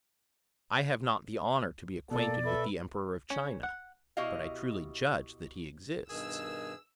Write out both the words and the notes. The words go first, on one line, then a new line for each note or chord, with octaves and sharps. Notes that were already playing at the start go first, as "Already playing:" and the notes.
I have not the honour to be acquainted with the Emperor of China, but I truly judge that he exists.
B2 A#3 A4 D5
A4 B4 E5
C#4
F#5
B2 E4 F#4 G4 D#5 F5
G2 B2 D#3 G#4 A#4 E6